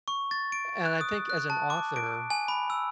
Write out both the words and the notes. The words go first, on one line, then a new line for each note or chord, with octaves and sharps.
and I think as an author
C#6
A6
D7
F#6
D#6
F#6
A5
D6
D7
G#5
B5
E6